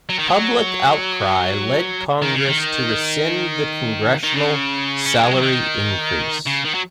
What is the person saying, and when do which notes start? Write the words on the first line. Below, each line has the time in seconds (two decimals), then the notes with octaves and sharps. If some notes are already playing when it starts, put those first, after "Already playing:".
Public outcry led Congress to rescind the congressional salary increase.
0.09 F#3
0.19 D#3
0.29 F#3
2.22 D#3
2.34 C#3
2.47 D#3
4.24 D#3
4.34 C#3
5.06 C#4
5.14 A#3
5.23 G#3
5.32 F#3
5.41 D#3
6.47 C#3
6.65 D#3
6.75 F#3